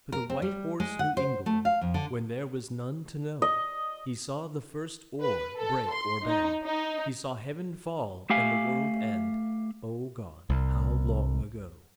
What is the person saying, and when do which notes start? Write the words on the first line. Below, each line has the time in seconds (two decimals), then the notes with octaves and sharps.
For the White Horse knew England When there was none to know; He saw the first oar break or bend, He saw heaven fall and the world end, O God, how long ago.
0.12 A#4
0.30 C4
0.42 G3
0.80 G#3
0.99 F#5
1.17 C5
1.46 A3
1.65 F5
1.81 F2
1.94 D3
3.42 D#5
5.20 B4
5.57 A4
5.91 C6
6.25 D#4
6.63 D#4
8.30 A3 G4 E5 F5 G#5
10.50 C2